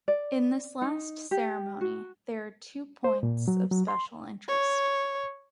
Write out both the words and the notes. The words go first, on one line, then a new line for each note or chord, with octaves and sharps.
In this last ceremony, there are two points of special interest.
D5
D#4
G4
F#4
C5
A#2
F#3
F#3
C6
C#5